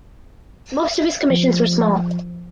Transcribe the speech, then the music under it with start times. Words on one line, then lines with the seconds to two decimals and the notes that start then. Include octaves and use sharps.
Most of his commissions were small.
1.30 F3